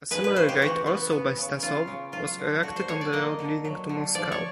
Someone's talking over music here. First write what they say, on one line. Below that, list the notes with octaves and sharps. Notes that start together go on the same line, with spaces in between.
A similar gate, also by Stasov, was erected on the road leading to Moscow.
G#3 B4
B4
C#3 C5
G4
E3 F#4
B3
B3
C#3
C#3 F4
C#3
F#3 F4
D3
D3 F#4
C5
D3 C#5
D5
A#3 D#5
D3
F#3
D3
F3 D5
C#5